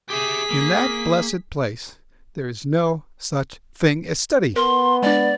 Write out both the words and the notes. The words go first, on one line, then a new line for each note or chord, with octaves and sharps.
In that blessed place there is no such thing as study.
G4 G#4 E5 B6
A#3
B3 A#4 C6
G#3 D4 D5